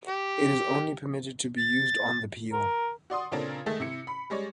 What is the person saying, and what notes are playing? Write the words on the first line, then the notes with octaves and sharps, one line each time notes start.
It is only permitted to be used on the peel.
G4
A6
A#4
F#4 D5 C6 D#6
A#2 C#3 C4 D4 A4 A#4
D#3 G#3 A3 A4
C3 E4 C#7
B5
G3 G#3 C#5 D5